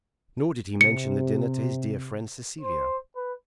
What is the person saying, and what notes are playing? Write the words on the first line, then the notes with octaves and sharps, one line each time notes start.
Nor did he mention the dinner to his dear friend Cecilia.
C3 C#7
C5
B4